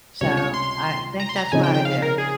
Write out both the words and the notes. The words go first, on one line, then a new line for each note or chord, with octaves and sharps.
So I think that's what I would do,
C#2 C3 G3 C#4 F4 C#5
C#5
C6
A#5
C6
A#5
C#3 F3 C4 D#4 G#5
G5
G5
F5
A#4
G#4